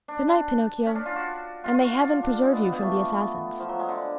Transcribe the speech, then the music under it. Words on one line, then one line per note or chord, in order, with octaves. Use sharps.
"Good night, Pinocchio, and may Heaven preserve you from the Assassins."
D4
D4
C#4
D4
F4
F#4
F4
F4
F#4
F#4
F4
D4
G#3
B3
B3
A3
F3
F#3
G#3
D3